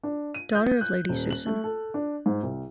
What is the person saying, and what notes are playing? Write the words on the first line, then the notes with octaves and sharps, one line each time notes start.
Daughter of Lady Susan.
D4
D#7
G6
F#6
D#1
F#7
A3
A4
D4
G#2
C2